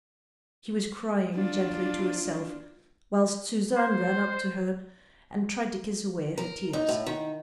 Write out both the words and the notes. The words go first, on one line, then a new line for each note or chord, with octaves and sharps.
She was crying gently to herself, whilst Suzanne ran up to her and tried to kiss away her tears.
D4 F4
C5
A#4
D#4
A2
D#3